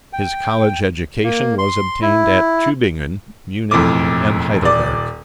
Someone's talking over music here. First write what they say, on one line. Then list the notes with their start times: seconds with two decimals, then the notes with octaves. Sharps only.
His college education was obtained at Tuebingen, Munich, and Heidelberg.
0.13 G5
1.24 A#3
1.58 C6
2.02 E4
3.71 E1 F2 A2 D6
4.62 D#1 D5